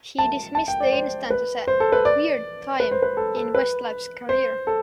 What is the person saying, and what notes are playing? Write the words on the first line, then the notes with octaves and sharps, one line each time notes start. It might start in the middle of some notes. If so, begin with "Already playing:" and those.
He dismissed the instance as a "weird time" in Westlife's career.
A5
A5
G5
D5
C5
B4
C5
A4
B4
D5
B4
C5
B4
A4
A4
B4
C5
A4